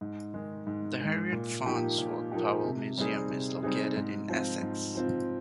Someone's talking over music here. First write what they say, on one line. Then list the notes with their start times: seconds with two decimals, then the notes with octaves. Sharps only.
The Harriet Farnsworth Powell Museum is located in Essex.
0.01 G#2
0.34 D#3 G#3
0.67 G#2
1.00 D#3 G#3
1.32 A#2
1.66 F3 A#3 D#4 G4
1.98 A#2
2.32 F3 A#3 D#4 G4
2.64 C3
2.98 G3 C4 D#4 G#4
3.30 C3
3.63 G3 C4 D#4 G#4
3.97 G#2
4.29 F3 C4 F4
4.62 G#2
4.95 F3 C4 F4